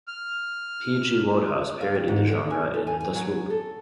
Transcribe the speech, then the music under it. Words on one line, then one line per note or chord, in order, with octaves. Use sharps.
P. G. Wodehouse parodied the genre in The Swoop!
F6
F5
G4
G#2
D3
G#5
A4
G#5
G#5
F#3
A4